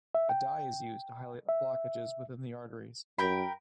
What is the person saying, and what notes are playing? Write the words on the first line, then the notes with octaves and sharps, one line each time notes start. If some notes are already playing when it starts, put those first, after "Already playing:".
A dye is used to highlight blockages within the arteries.
E5
G5
E5
F#2 A#4 G5 B5